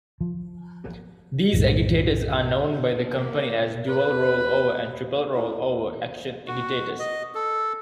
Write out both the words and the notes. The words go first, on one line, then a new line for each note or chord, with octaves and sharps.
These agitators are known by the company as dual-rollover and triple-rollover action agitators.
F3
B1 F#2 A2
A#3
B4
A2
F#4
D#5
A4